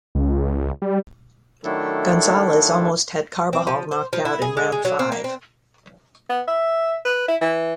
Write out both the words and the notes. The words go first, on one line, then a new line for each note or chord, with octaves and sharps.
Gonzalez almost had Carbajal knocked out in round five.
C#2
G3
D#3 F#3 A3 D4 E4 A4
C4
F3
C5
F3
E4
G#4
G#3
G#3
F#3
C4
A#3
C4
B3
E5
B4
E4
E3